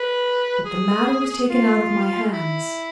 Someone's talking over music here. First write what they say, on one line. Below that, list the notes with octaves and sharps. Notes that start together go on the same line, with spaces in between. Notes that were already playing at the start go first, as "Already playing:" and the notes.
But the matter was taken out of my hands.
Already playing: B4
G#4
F4
E4